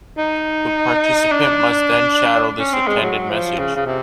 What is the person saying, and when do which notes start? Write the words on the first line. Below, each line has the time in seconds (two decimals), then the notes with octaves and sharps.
The participant must then shadow this attended message.
0.18 D#4
1.32 D4
2.59 C#4
2.73 C4
2.88 G#3
3.02 F#3
3.30 F3
3.59 C#3
3.76 C#3
3.86 C3